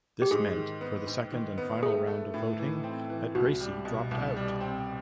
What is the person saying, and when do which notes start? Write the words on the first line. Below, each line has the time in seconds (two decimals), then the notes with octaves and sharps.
This meant for the second and final round of voting that Gracie dropped out.
0.22 G4
0.31 G#2 G#4
0.56 D#3
0.81 B3
1.07 G#2
1.32 D#3
1.58 B3
1.82 A3 G#4
2.07 A3
2.34 A2
2.59 E3
2.84 C4
3.10 E3
3.35 C2 F#4
3.60 G3
3.85 B2
4.11 C2
4.36 G3
4.61 C4